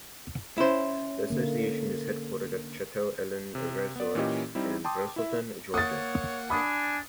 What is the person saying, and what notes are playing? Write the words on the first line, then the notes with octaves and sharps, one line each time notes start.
The Association is headquartered at Chateau Elan Resort in Braselton, Georgia.
C#4 E4 C5
D3 A#3
C3
B3 D5
A#2 E3 A#3 C#4 G4 D#5
G3 C4 D#4 E4
G5 A5 C6 D6 D#6
E4 E5
A#3 C#5 F#5 D#6 A6
D4 G#5 B5 D#6